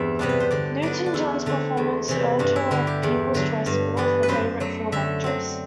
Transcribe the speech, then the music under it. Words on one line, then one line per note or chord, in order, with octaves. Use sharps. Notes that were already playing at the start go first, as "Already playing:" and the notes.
Newton-John's performance earned her a People's Choice Award for Favorite Film Actress.
Already playing: E2 G2 C4 E5
C3 G3 B3 D4
B4
C5
D3 D5
F#3 B3 D4 D5
D4
E2 E4
D3 A3 C4
E2
C3 E3
G2 D4
E4
D3 G3 E4
G4
E2
D3 F#3
G2
E3 B3 D4
B4
F#2 C5
F#3 A3
D3 E5
F#3 C4